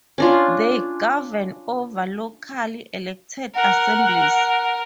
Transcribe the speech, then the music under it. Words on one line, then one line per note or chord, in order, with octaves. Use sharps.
They govern over locally elected assemblies.
C#4 D4 F4
A#4 F#5